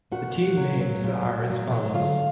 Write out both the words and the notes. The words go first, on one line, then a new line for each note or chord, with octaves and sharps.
The team names are as follows.
A#2 F#4 F#5
A#2
F#3
F#3
A#2
A#2
F#3
F#3
D3 F4 F5